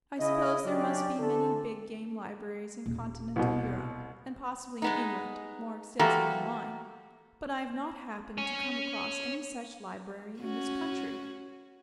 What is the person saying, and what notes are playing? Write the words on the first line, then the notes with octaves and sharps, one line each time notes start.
I suppose there must be many big-game libraries in Continental Europe, and possibly in England, more extensive than mine, but I have not happened to come across any such library in this country.
C#3 E4 D#5
F#3 C#4 D4 G4 D5
D3 E3 C4 A4
D#1
C2 B2
G#3 B3 D#4
E3 A#3 F#4 G4 A4
C#5 G#5
C#4 F#4